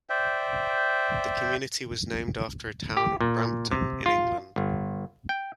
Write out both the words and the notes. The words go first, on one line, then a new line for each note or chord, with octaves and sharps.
The community was named after the town of Brampton, in England.
C5 D5 E5 G5
G4
A#2
C3
F4
G1
G5